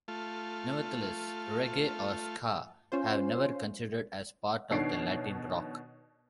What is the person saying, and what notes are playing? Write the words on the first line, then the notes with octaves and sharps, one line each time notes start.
Nevertheless, Reggae or Ska have never considered as part of the Latin Rock.
A3 F4
C#4 F4 C5
B2 D#3 D4 C#5 C7 D7